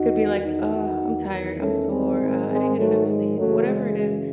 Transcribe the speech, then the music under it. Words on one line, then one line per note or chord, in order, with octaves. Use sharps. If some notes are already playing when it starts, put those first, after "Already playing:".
could be like, "Oh, I'm tired. I'm sore. Uh, I didn't get enough sleep." Whatever it is,
Already playing: E2 D#3 D#4 F#4
D#4 F#4
D#4 F#4
E2 D#3
A3 C#4
G#3 C4
G#2 D#3
G#3 C4
F#3 A3
G#3
F#2 C#3 E3 F#3 A3
G#3